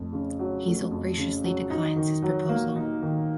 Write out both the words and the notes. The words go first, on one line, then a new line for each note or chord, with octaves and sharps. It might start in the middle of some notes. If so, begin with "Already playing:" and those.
Hazel graciously declines his proposal.
Already playing: F2 A3
C#3
F#3
A3
F2
C#3
F#3
D#4
D#3
F#3
A#3
D#4
D#3